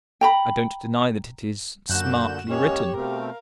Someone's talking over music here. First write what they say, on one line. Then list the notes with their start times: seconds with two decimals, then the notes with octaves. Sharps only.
I don't deny that it is smartly written.
0.21 G5 A#5 B5
1.89 F#2 A#2 D3 F#4 F#6 G6 E7
2.49 G#3 A#3 C#4 G4 C#5
2.96 B2 A3 C4 A#4 F5